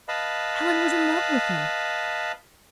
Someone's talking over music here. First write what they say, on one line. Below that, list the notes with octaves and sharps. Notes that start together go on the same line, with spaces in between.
Helen was in love with him.
B4 D#5 F5 A5 B5